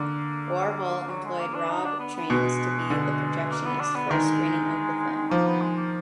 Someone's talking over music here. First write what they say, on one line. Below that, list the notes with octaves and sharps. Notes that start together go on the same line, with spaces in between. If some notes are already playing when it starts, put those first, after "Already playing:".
Warhol employed Rob Trains to be the projectionist for a screening of the film.
Already playing: D3 A#3
F#3
G#3
A#3
D4
D#4
D4
B3
B3
B2 G#3
D3
A#3
B3
D4
B3
D#3 G#3
F3 A#3
B3
G#3
A#3